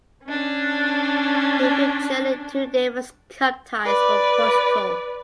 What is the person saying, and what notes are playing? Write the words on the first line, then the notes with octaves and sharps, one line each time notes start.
He featured in two Davis Cup ties for Portugal.
C#4 D4
B4 D5